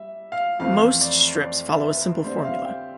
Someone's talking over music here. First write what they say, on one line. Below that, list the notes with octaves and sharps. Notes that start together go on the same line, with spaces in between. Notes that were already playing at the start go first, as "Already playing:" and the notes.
Most strips follow a simple formula.
Already playing: G3 E5
F5
F2 E3 A3 C4 F5
D5
D5
E5
B4
G2 D3 G3 C4 C5
E5
F5
G5